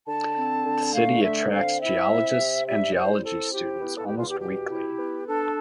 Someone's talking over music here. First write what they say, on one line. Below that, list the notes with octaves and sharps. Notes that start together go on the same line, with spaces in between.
The city attracts geologists and geology students almost weekly.
D3 A5
C4
D3
A3 F5
D3 E5
C4 F5
E4 E5
C4
C3
G3 E5
E4 C5
C4 A4
E4 G4
B3
A4
E2 G4
F4
G4
B2 G4
E4
B3
D4 A4